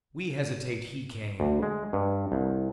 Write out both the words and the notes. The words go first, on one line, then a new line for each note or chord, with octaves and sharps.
We hesitated, he came!
D2
G#3
G2
C2